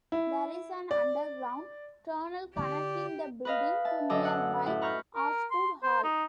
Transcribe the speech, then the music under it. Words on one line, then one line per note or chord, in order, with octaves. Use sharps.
There is an underground tunnel connecting the building to nearby Osgoode Hall.
E4
D5
D3 E4 G4 D5
B4 D#5 F5
E5 A5
F#2 D3 A4 D#5 D6 E6
F#5
A2 E4
B4 A#5 C#6 F6 G6
A#4
C6
C5
D#4